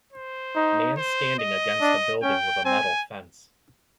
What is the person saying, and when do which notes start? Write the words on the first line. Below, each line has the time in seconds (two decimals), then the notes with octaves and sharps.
Man standing against a building with a metal fence.
0.13 C5
0.55 D#4
0.97 C5
1.39 D#5
1.81 D4
2.23 C#4 G5
2.65 C4 G#5